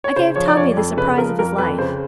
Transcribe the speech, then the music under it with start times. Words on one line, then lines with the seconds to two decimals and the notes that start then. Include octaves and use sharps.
'I gave Tommy the surprise of his life.
0.04 C#5
0.16 C#3 C5
0.36 F3 C#5
0.48 D5
0.57 F2 C#5
0.77 F2
0.97 C#3 B4
1.18 F3 A#4
1.39 F2 A#4
1.58 F2 B4
1.79 C#3 C5